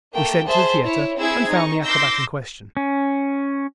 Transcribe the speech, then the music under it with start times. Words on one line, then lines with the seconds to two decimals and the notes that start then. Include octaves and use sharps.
We sent to the theater and found the acrobat in question.
0.12 A3 A#3 G5
0.45 G#4 C5 E5 A5
0.83 E4 C#5
1.17 C4 E4 G#4 E6 G#6
1.49 D#4 C#6
1.83 C6 D6 E6 G6 A#6
2.77 C#4